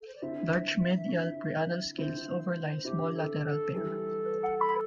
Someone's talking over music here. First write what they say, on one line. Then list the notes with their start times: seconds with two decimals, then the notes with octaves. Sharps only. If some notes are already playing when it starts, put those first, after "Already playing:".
Large medial preanal scales overlie small lateral pair.
0.01 A4
0.07 C5
0.15 D5
0.22 D3 C4 E4 E5
1.09 D3 C4 E4
1.98 D3 C4 E4 C5
2.85 D3 C4 E4 G4
3.14 A4
3.43 A4
3.73 E3 G3 E4 A4